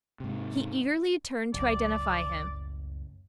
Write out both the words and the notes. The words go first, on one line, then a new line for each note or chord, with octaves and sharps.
He eagerly turned to identify him.
G#2 C3
F#1 C#2 A2 D5